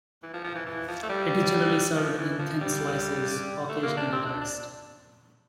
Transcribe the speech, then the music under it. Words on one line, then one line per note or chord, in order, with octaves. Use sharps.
It is generally served in thin slices, occasionally diced.
E3
F3
F3
E3
E3
F3
A3
G3
F3
E3
F3
G3
A3
A#3
D4
C4
D4
D4